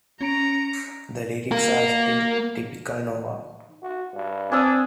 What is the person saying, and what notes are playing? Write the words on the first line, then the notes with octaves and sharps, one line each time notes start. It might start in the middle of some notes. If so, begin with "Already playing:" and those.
The lyrics are still typical Nova.
C#4 A#5 C#7 D7
A#3 A#4
F#4
G2
C4 D4 G#5 D#6 E6